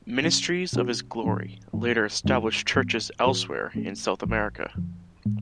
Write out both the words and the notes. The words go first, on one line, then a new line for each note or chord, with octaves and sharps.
Ministries of His Glory later established churches elsewhere in South America.
B2 F#3 C#4
B2 G#3 C#4 F#4
A2 F#3 C#4
G#2 F3 A3
F#2 D3 G#3 D4 F4
G#2 F#3 B3
A2 F#3 C#4 F#4 B4
A2 F3 A3 C#4 G#4
A1 A2 F3 G#3
F#2 D3 F3
A2 G#3